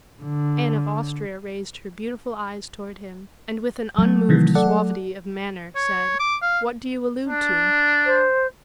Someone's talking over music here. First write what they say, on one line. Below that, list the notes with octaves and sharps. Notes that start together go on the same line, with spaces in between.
Anne of Austria raised her beautiful eyes towards him, and with an unmoved suavity of manner, said, "What do you allude to?"
D3
F#3 A3
C3 D#3 E3
A4 D5 F#5
C#5
D6
F5
D4
C5